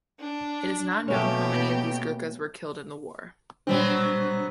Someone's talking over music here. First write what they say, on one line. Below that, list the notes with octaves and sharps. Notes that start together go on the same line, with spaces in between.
It is not known how many of these Gurkhas were killed in the war.
D4
B2 A3 A#3 C#4 G4
A#2 F#3 G3 B3 C4 D4